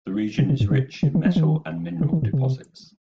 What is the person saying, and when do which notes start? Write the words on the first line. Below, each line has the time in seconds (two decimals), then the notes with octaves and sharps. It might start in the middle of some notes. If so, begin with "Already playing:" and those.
The region is rich in metal and mineral deposits.
0.39 C3
0.49 C3
0.60 G2
0.71 C3
1.03 C#3
1.15 D#3
1.25 F3
1.36 D#3
2.01 C#3
2.13 D#3
2.22 G#2
2.33 C3